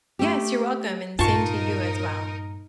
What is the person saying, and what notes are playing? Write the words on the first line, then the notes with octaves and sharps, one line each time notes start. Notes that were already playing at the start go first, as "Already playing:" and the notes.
Yes. You're welcome, and same to you as well.
A3 G4
G2 A#2 D#4 F4 A#4 A5 C#6